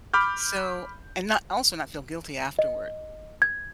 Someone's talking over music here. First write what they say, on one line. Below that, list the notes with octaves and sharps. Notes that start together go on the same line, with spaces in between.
so and not also not feel guilty afterward,
B5 D6 F6 G6
D#5
G#6